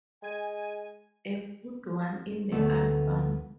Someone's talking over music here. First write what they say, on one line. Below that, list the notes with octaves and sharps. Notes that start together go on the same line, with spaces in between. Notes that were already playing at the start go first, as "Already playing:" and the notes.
A good one in the album.
G#3 G#5
D2 A3 B3